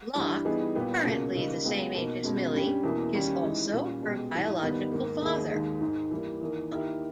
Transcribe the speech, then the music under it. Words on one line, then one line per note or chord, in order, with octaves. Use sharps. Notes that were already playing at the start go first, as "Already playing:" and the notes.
Locke, currently the same age as Millie, is also her biological father.
G2 E3 G3
E3 G3 B3 D#4 G#4
A#2 G3 B3 G4
C#2 B2 A#3 C#4 G#4
C#2 C#3 G3 A#3 D#4
C#2 C#3 G#3 B3 G4
B2 A#3 D#4
B2 G#3 C#4
G2 G3 C#4 G4
E2 B2 A#3 E4
D#2 D#3 G3 C#4 G4
E3 G#3 D#4
A#2 G3 C#4
B2 G#3 B3 G4
G#2 E3 G3
D#2 D#3 G3 B3 D#4
G#2 D#3 A#3
D#2 D#3 A#3 D#4 G#4
D#2 D#3 G#3
G#2 D#3 G#3
E3 G3 A#3
E2 D#3 A#3
D#3 A#3 E4 G4 A#4